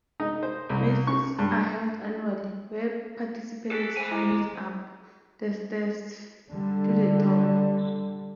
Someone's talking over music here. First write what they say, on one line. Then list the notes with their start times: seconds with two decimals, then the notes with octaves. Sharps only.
Races are held annually, where participants race up the stairs to the top.
0.20 D#4
0.43 C5
0.69 C2
1.07 C#6
1.39 G2
3.71 G#4 A4 F#6 B6
3.97 C5 E5 G#5
4.11 G#3 E4 A#5 D6
6.51 D3 G3